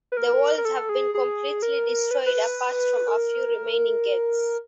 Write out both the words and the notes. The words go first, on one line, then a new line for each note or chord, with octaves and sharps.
The walls have been completely destroyed apart from a few remaining gates.
B4
A#4
A#4
A4
G#4
G#4
A#4
B4
B4
A#4